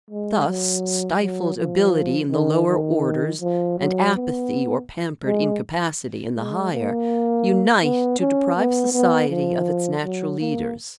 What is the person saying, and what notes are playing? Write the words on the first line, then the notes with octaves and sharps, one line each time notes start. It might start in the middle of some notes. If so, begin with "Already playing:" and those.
Thus stifled ability in the lower orders, and apathy or pampered incapacity in the higher, unite to deprive society of its natural leaders.
G#3
F#3
F#3
F3
D#3
D#3
F3
F#3
B3
G#3
G#3
A#3
B3
C#4
B3
B3
F3
F#3
A#3